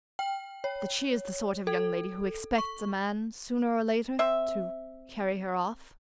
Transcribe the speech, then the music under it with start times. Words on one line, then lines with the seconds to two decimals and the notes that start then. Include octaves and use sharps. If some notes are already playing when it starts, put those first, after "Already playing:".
"That she is the sort of young lady who expects a man, sooner or later, to carry her off?"
0.19 G5
0.64 C#5
1.67 A4
2.58 C#6
4.19 C4 E5